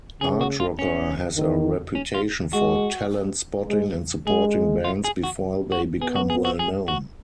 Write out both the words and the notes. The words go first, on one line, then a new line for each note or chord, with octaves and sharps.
Artrocker has a reputation for talent-spotting and supporting bands before they become well known.
C#3 G#4
F#4
F4
C#4
D#3
C#4
F4
G#3 F#4
G#3
G#3 G#4
F4
G#4
F#4
F#4
B3 G#4
F#4
G#4
F#4
G#4
F#4